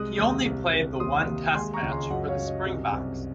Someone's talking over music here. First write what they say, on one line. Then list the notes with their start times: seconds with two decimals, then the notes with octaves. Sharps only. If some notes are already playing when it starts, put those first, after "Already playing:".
He only played the one test match for the Springboks.
Already playing: C2 G#3 D#6 F#6
0.18 D#2
0.45 C2
0.73 C2
1.00 D#2 C6 D#6
1.27 D#2
1.55 G#3 G#5 C6
1.74 A#5 C#6
1.82 C#2
1.91 G#5 C6
2.10 F#2 D#5 F#5
2.29 C#5 F5
2.38 F#2
2.47 D#5
2.66 C2
2.92 C2